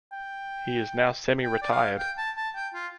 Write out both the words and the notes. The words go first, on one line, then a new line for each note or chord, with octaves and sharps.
He is now semi-retired.
G5
G5
D5
F5
G5
A5
A5
G5
F4